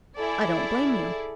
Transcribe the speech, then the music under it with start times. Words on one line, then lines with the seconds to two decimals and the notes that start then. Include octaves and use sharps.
I don't blame you.
0.16 E4 G#4 A4 D5